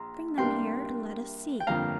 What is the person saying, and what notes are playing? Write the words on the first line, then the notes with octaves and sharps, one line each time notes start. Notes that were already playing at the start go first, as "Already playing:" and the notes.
Bring them here, and let us see.
Already playing: A#1 A#5 C6
C2 C3 G3 A#3 D4 G5 C6
G5
G1 F2 D3 A#3 F4 F5 A#5